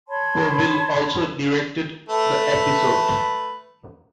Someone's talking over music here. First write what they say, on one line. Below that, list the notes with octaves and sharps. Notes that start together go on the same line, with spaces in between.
Povill also directed the episode.
C#5 A5 B5 C6
A3 A4 B4